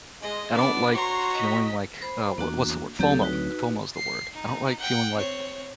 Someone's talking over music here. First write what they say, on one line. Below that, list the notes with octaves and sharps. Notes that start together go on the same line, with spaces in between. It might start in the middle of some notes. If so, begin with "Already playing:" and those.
I don't like f feeling like, uh, what what's the word? FOMO. FOMO is the word. I don't like feeling like
G#3 D#5
B3 D4 D5
F#4 C#5 A#5 C6
D#5 B6
C5 B5
E2 A#3 D4 F#4
D2 F#3 A#3 C4 G4 A4
D#4 F#4 B4
C7
D#4
F#5 G5
C4 C#5